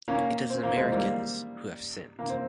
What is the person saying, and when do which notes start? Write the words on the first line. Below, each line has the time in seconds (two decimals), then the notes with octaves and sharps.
It is the Americans who have sinned.
0.08 A#3 C#4
0.50 C4
0.63 A#3
0.77 G#3 C4
0.92 G3 A#3
2.19 A#3
2.30 C4